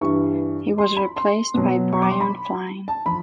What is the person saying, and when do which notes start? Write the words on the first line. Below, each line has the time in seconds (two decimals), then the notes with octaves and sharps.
He was replaced by Brian Flynn.
0.01 G2 E3 G3 C#6
0.78 C6
0.97 B5
1.16 C6
1.54 B2 F#3
1.93 C#6
2.02 D6
2.11 C6
2.21 B5
2.88 A5
3.06 F3 B5